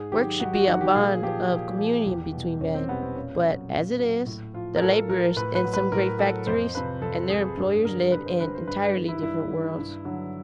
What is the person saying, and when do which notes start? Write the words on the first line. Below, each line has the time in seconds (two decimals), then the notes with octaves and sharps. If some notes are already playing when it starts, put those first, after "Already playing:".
Work should be a bond of communion between men, but as it is, the laborers in some great factories and their employers live in entirely different worlds.
Already playing: G#2 G#4
0.12 D#3 F#3 G4
0.40 G#2 F#4
0.54 F#4
0.67 D#3 F#3 F#4
0.81 G4
0.95 A#2 G#4
1.23 F3 G4
1.51 A#2
1.78 F3
2.06 E2
2.33 B2 G3
2.61 E2 C#4
2.75 C4
2.88 B2 G3 B3
3.02 C4
3.16 A#2 C#4
3.44 F#3
3.70 A#2
3.99 F#3
4.26 A2
4.54 F3 F4
4.76 A#4
4.82 A2 A4
5.08 F3 A#4
5.36 A2 B4
5.55 B4
5.64 F#3
5.74 B4
5.92 A2 A#4
6.19 F#3 A4
6.47 F2 C5
6.75 C3 F3 B4
7.02 F2 A4
7.29 C3 F3 G#4
7.57 G2 G#4
7.85 D3 G3 A#4
8.12 G2 B4
8.26 C5
8.40 D3 G3 B4
8.54 C5
8.68 G2 B4
8.81 B4
8.95 D#3 G3
9.08 E4
9.22 G2 E4
9.51 D#3 G3
9.78 G2
10.05 D3 F#3